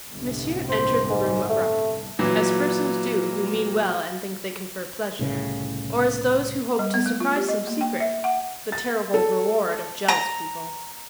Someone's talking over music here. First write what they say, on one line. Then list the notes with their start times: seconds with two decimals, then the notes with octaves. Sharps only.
Monsieur entered the room abruptly, as persons do who mean well and think they confer pleasure, or as those who hope to surprise some secret, the terrible reward of jealous people.
0.10 G1 C2 A2
0.69 C5
1.10 G#2
1.49 A3
2.19 A#2 E3 F#3
5.19 C2 A2 C#3
6.79 G3
6.94 B3
7.06 A3
7.20 F4
7.36 G4
7.48 D#5
7.67 A#3
7.81 G5
8.00 E5
8.24 F#5
8.72 A6
9.14 A4
10.08 A#5